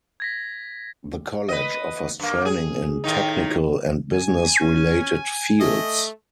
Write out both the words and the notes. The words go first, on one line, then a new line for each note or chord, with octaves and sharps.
The college offers training in technical and business-related fields.
G#6 A#6 B6
B4 D#5
G2 A#3
G#4
A2 D#3 D#4
G#5
C#4
A3 D#5